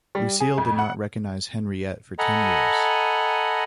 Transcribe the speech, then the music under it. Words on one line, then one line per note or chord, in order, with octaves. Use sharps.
Lucile did not recognize Henriette for ten years.
G3
G#4
F2
F#5
A4 D#5 F#5 G#5 A#5 B5